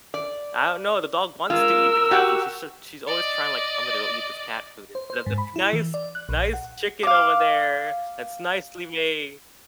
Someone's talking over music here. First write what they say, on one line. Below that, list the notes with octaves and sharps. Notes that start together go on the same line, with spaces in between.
I dunno, the dog wants to eat the cat food, she's such she's always trying, like, I'm gonna go eat this cat food, instead of the foo nice nice chicken over there that's nicely made.
D5
G#3 F4 A#4 E6
F#4 G4 F#5
D5 D#5
C5
C5
G#2
B5
E4
E3
D5
F#6
A#1
F#5
F5 D6